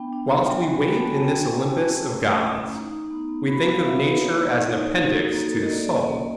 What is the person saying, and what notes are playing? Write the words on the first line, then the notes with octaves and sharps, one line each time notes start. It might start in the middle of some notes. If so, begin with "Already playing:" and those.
Whilst we wait in this Olympus of gods, we think of nature as an appendix to the soul.
Already playing: B3 D4 G5
D4
F4
G5
F#3 G#5
F#4
B5
B3 A#5
A5
F#4
G#5
C#4 G5
C#4 G#5
A#5
C#4 A5
C#4
E4
A3
A3
C#4
D#4 A#5
D#4
B3
B3
F#4 B5
A#5
F#3
F5
F#4 E5
D#4 B4
A#3 C#5
A#3
D#4 D5
D#4
F#4 A4
A#3
A#3 A4
A#3 A#4
D#5
A#3 D5
D5
C#4
D#5
A#3